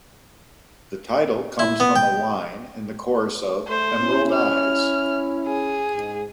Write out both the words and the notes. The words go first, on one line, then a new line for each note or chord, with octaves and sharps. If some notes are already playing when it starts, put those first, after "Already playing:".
The title comes from a line in the chorus of "Emerald Eyes".
E4
B3
G5
A3 C5
C#4 E4
F6
G#4
G#2